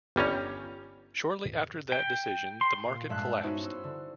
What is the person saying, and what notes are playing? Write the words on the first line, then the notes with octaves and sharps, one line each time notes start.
Shortly after that decision the market collapsed.
G1 G3 C#4 A#5
G5
C6
A#2
G2 G#3 E5 A5 F#6
B3 C#4 D#4 E4 F#4 C5
C6 E6
D3